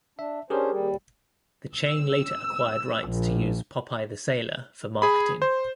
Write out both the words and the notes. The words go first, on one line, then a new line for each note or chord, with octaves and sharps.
The chain later acquired rights to use "Popeye the Sailor" for marketing.
D4 E5
C#4 D4 G4 G#4 A#4 C5
D#2 G3
E6
A#1
G#4 B5
C5